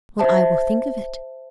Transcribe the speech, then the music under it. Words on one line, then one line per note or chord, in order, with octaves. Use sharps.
"Well, I will think of it."
C5 E5 A5